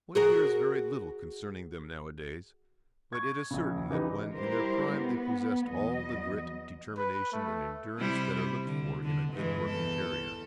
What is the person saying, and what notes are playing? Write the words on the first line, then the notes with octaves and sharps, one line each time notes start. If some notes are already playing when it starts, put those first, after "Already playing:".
One hears very little concerning them nowadays, but it is certain that when in their prime they possessed all the grit, determination, and endurance that are looked for in a good working terrier.
F#4 G#4 A#4
C#6 G#6
A#1 C#3
C#3 E3 D#4 G4
G3 E4 G4 A#4 C5
B3
E2 F#3 B3 D#5
B4
A3
C3 G3 E4
D3
D3
G2 E3 G#3
E2 A4